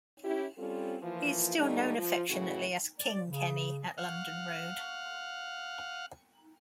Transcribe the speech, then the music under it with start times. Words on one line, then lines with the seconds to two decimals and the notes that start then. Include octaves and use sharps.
He is still known affectionately as King Kenny at London Road.
0.24 C#4 E4 G4
0.58 G3 C4 C#4 F4 A4
1.01 E3 F3 A#3 F4
1.57 D3 G3 A3 A#3 D#4
1.98 F3
2.29 F#2 A2 C#3 E3 E4 F#4
3.00 D5
3.28 C#3
3.98 F5 F#5